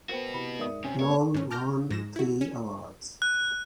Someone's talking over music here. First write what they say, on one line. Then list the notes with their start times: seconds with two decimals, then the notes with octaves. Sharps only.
Noll won three awards.
0.09 B3 F#4 A#4 C5 G5 C#7
0.34 C3 E4 B5 C#7
0.59 G#2 A#4 D5 E5 D#6
0.84 C3 C#4 G#5
1.00 G2 A#3 C4 B4 C#5 D5 C#6
1.34 G#2 C#4
1.51 A5 D6 F6 G6 A#6
1.90 G#2 A#6 E7
2.16 E4 F#4
2.41 C#4 E7
3.22 F#6